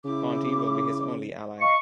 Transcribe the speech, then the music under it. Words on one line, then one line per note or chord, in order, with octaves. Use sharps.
Ponti will be his only ally.
C#3 E4 D6
D#5 F5 C#6